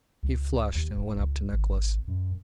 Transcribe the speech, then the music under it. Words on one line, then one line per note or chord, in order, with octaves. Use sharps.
He flushed and went up to Nicholas.
C#2
D#2
E1
C#2
G#1
F#2